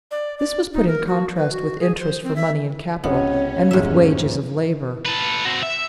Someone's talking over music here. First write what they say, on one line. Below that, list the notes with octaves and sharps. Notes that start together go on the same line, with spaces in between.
This was put in contrast with interest for money and capital, and with wages of labor.
D5
D5
D#4
A#4
F#4
B4
F#4
G#4
C5
C4
E5
C#2 C3 B3 C#4 C#5
F1 D#2 G#2 E5
A4 B4
C4 F#4
E5